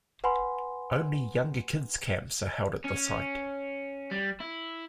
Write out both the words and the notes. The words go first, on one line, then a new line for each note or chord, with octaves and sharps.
Only younger kids camps are held at the site.
B4 F#5 G#5 B5 C6
C#4
G3
E4